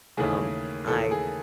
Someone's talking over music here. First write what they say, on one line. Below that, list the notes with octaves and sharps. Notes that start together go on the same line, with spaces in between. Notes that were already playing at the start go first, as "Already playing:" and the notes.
Um, I
D#2 C#3 E3 A3 G#4
D#2 C#3 E3 A3 A4
G#4